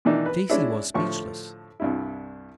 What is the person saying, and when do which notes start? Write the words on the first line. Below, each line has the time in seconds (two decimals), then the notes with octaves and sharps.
Stacy was speechless.
0.05 B2 D#3 E3 D4 D#4
0.26 B4
0.50 G#3 C#4 D4 E4
0.94 A2 D3 F3 C#6
1.80 C2 G2 E4